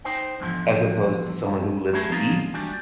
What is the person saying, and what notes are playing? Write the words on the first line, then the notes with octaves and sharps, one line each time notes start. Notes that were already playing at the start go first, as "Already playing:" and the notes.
as opposed to someone who lives to eat,
D#4 C5 G5
E2 G#2 D3 F3
F#3 A3 E4 F#4 G#4
F3 G#3 D#4 F4 A#5
E3 G3 D4 F#4